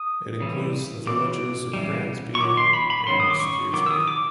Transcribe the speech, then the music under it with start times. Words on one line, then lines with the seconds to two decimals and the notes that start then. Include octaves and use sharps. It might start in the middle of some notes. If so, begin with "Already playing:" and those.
It includes the villages of Brandsby and Stearsby.
Already playing: D#6
0.40 C#3 E3 G3
1.07 C#3 E3 D6
1.73 C#3 E3 G3
2.35 C#6
2.40 D#3 F#3 C#4 D6
2.57 C6
2.73 B5
2.90 B5
3.07 D#3 F#3 A#3 C#4 C6
3.20 D#6
3.30 D6
3.40 C#6
3.73 D#3 F#3 D6
3.86 E6
3.91 D#6
4.08 D6